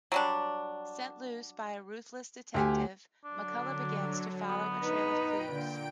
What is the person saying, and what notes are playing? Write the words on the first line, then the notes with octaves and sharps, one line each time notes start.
Set loose by a ruthless detective, McCullough begins to follow a trail of clues.
F#3 G3 D4
D2 G4 G#5
D3 F#3 D4
B3
D#4 B4
A#2 G5 D7
D3